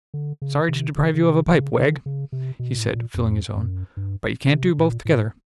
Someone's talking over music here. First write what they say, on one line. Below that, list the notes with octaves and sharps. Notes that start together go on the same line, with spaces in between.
'Sorry to deprive you of a pipe, Wegg,' he said, filling his own, 'but you can't do both together.
D3
C#3
C3
C#3
C#3
C3
C#3
D3
C#3
C3
B2
A2
A#2
F2
F#2
G2
C3
A#2
A2